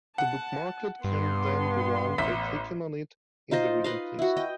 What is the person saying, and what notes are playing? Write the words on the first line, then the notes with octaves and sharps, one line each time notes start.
The bookmarklet can then be run by clicking on it in the reading list.
F#5 A5
G2 B3 C6
A1 E5 B6
D#4 F4 C5 D#5
B4 D#5 F5
E4 F#4
D#5 G5